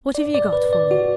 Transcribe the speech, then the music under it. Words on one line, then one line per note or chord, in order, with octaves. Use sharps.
What have you got for me?'
D5
D5
B4
D5
F#4